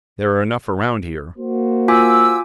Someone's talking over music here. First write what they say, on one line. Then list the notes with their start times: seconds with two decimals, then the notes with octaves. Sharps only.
"There are enough around here."
1.38 A#3 F#4 C5
1.88 F4 G#5 D6 E6